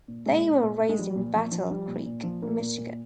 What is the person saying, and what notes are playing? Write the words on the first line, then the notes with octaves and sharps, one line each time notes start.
They were raised in Battle Creek, Michigan.
A#2
A#2 G#3
A#2
A#2
A#2
G#3
F3 G3
A#2
F3
F3
F3 G3
A#2
A#2
F3
A#2 A#3
A#2
A#2